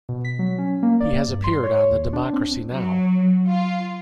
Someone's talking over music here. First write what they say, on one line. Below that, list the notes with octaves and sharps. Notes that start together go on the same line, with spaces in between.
He has appeared on the Democracy Now!
B2
B6
F#3
C#4
A#3
D5
G2
C6
C#5
D#2
D4
C4
F#3
F4